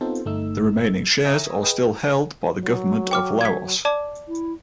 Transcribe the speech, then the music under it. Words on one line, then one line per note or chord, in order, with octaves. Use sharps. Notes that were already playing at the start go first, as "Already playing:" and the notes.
The remaining shares are still held by the government of Laos.
B3 C4 D#4 F4 A4 C5
G1 A3 D#4 E6
E5 G#5 A#5 C#6 D#6 E6
G#4 B4 D#5 G5
F#3
G5 D6 F6
G#6 B6
D5 A5 D6
E4